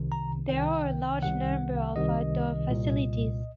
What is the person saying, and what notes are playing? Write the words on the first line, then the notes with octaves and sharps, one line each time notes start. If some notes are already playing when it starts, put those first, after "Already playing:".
There are a large number of outdoor facilities.
Already playing: C2 C3 D#3
A#5
C2 C3 D#3 G5
C2 C3 D#3 F#5
C2 C3 D#3 D#5
C2 A#2